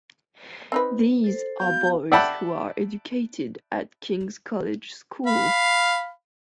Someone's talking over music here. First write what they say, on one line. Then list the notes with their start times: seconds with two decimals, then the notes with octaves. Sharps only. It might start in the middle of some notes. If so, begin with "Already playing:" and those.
These are boys who are educated at King's College School.
0.72 C4 D#4 B4
1.24 A4 C5
1.60 B3 F#4 F5 G6
2.12 D5 E5 F#5 G5 A5 B5
5.26 F5 B5